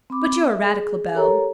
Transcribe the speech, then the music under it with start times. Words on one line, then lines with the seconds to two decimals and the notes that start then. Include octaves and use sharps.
But you're a radical, Bell.
0.10 C4 B5 D6
0.48 E5
0.62 G#4
1.14 G4 A4 A#4 C#5 A#5